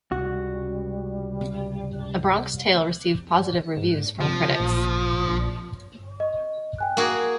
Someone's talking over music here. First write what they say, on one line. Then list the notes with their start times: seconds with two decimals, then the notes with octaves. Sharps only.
"A Bronx Tale" received positive reviews from critics.
0.12 C#2 C3 G3 F#4
3.77 G#2
4.21 C3 F3
4.60 A1 A#2
5.28 A#1
6.20 D#5 C#6
6.78 G5 G#5 F#6
6.97 A#3 F#4 G#4